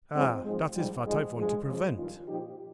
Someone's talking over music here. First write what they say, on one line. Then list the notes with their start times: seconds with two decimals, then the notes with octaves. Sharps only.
"Ah! dat is vat I vant to prevent."
0.15 G#2 F3 G#3 C4
0.45 G#2 F3 G#3
0.76 G#2 F3 G3
1.06 G#2 F3 G#3
1.37 G2 F3 G#3
1.68 F2 C#3 F3
1.98 G2 D#3 C#4 F4
2.28 A#2 F3 D#4 G4